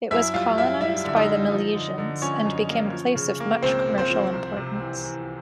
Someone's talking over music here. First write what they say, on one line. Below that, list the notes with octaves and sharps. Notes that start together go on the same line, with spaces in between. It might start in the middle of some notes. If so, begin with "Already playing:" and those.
It was colonized by the Milesians and became a place of much commercial importance.
F#2 E4 E5
G3 F4 F5
F#2 E4 E5
G3 E4 E5
D3 E5
D#4 D#5
G3
F3
D3
D3
F3 C#4 C#5
F#2
A#3
F3
C#3
A#3
C#2 C4 C5
C#2
C4 C5
F3
C2
C3
E3
E3